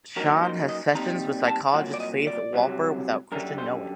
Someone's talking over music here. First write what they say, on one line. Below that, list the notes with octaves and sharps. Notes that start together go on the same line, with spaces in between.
Sean has sessions with psychologist Faith Wolper without Christian knowing.
F#2 F#3 A#3 D#4 A#4
C5
D#5
A#2 G3 C4 D#4 A#5
A5
C2 A#2 F#3 F#5
D5
D#5
D5
C2 C3 F#3
F#2 D3 G3 A#4
C5